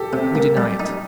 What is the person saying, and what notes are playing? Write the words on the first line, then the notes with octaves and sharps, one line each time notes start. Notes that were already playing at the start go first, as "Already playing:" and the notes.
We deny it.
Already playing: G4 A4
C3
A#3
G3
D#4